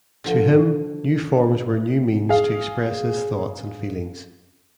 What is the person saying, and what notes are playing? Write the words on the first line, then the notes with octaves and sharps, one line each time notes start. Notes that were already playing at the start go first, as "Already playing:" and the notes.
To him, new forms were new means to express his thoughts and feelings.
D3 F3
G#4 F5